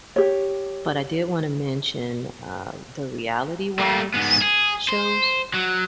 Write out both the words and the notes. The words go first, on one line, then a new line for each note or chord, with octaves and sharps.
but I did wanna mention, um, the Reality Wives Shows?
G4 C#5
A3 A#3
G#2 B3
G#4
C5
F#3